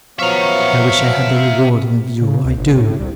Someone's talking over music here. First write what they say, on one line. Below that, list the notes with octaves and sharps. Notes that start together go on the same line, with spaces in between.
'I wish I had the rewarding of you--I do.'
F3 F#3 B3 E5 F5 A#5 C#6
C#3
C#2
G1
A2
C2